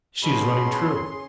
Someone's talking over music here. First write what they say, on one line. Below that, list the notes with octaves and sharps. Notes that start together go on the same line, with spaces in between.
She is running true!
B2 C#4 G#4 B5 C6